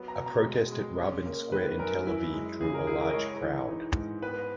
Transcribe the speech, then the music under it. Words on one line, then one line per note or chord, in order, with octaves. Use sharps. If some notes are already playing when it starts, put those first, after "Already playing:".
A protest at Rabin Square in Tel Aviv drew a large crowd.
Already playing: F#3 B3
A#5
B2
A#5
G#3
G#3
C#4
A#3
D#3 B4
F#2 A#4
E4
G#3
C#3 G#4
A#4
E4 G#4
A#4
D#5
G#3 C#5
E3
D#4
G#2
B3 B4